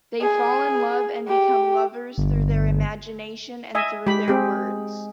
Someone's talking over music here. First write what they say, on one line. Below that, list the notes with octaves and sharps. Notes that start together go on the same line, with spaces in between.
They fall in love and become lovers through their imagination and through their words.
G#4
G4
G1
D#5 E5 G#5
G#3 G4 B5
C4 G4 G#4